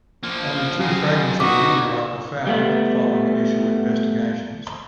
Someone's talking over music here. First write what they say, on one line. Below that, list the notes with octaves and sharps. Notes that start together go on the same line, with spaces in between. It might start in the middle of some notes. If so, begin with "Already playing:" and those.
Only two fragments of the meteorite were found following initial investigations.
F3 A#3
C#3 F#3 F#4 G#4 F5
D2 D#4 F#4 B4 D5 D#5 D6
G3 A3 B3